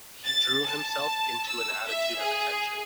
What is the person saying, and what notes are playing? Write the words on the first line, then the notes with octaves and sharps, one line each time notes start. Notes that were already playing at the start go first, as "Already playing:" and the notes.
He drew himself into an attitude of attention.
A6
A5
E6
E5
G#4